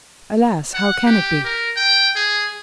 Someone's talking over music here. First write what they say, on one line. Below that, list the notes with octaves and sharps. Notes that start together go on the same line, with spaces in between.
Alas, how can it be?
F#5
G4
A#4
G5
G#4